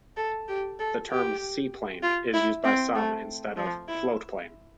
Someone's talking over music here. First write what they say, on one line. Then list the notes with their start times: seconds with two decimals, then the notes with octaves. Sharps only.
The term "seaplane" is used by some instead of "floatplane".
0.17 A4
0.48 G4
0.79 A4
1.10 G4
2.03 F4
2.33 E4
2.64 C4
2.95 A3
3.57 F3
3.88 E4